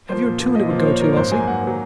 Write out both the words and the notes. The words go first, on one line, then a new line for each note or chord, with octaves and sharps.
"Have you a tune it would go to, Elsie?"
F3 A#3 C5
A#2
F3 A#3
A#2 D#5
F3 A#3
C5
A#2 C#5
F3 A#3 A#4
G#2 C5
F#3 A#3 G#5
G#2 F#5
F#3 A#3